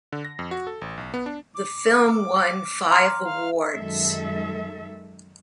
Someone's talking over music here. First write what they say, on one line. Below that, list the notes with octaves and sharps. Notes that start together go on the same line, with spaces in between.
The film won five awards.
D3
A#6
F2
F#4
A4
A1
B1
B3
D4
D6
A#5 C6 F6
F5
F#2 D#3 G#3 A4 E5